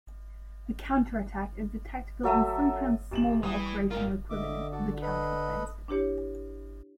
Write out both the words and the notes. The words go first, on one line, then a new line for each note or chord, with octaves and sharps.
A counterattack is the tactical and sometimes smaller operational equivalent of the counter-offensive.
F#3 A4 E5 D#6
D#1 E7 F#7
E3 G3 D#6
G#2 F4 A#4
D3 D#5 E5 D6
F#4 A4 D5
A4 B4 D#5
D4 E4 G4 C#5